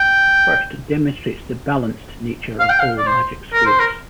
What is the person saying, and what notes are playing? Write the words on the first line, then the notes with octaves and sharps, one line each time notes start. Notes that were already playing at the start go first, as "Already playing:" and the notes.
First it demonstrates the balanced nature of all magic squares.
Already playing: G5
F5
G5
F5
D5
C5
A#4
C5
A#4